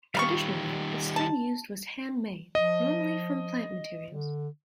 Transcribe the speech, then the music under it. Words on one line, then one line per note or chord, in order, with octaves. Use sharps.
Traditionally, the string used was handmade, normally from plant materials.
D#3 G3 F5 B5 C#6
A5
F3 D#5
D3